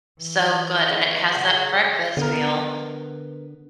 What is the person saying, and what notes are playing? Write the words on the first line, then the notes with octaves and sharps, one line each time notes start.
so good and it has that breakfast feel,
E3
G#3 A3 B3
C#3 F#3 G#4
D3 B3 A#4